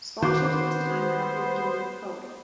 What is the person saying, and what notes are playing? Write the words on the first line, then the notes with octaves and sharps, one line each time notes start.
Scholarships at this time were not given to women of color.
D#3 B3 F#4 C5 D6